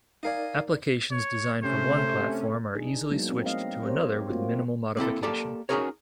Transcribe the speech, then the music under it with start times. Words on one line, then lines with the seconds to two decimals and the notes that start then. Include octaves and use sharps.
Applications designed for one platform are easily switched to another with minimal modification.
0.23 D#4 A#4 D5 D#5 F5 G#5
1.11 C#5
1.63 C3 A3 C#4 C5
2.74 D4 D#4 G#4
3.10 F#3 G#3 A#3 B3 D#4
3.29 C4
3.46 A3 C4 D#5 F5
3.83 C4 G4 A#4 C5 C#5
4.30 A3 A#3 C4 F4 F#4
4.97 A#3 C4 E4 A4
5.23 A#3 G4 A4 D5 A5
5.69 C#4 D#4 F#4 G#4 A#4 C#5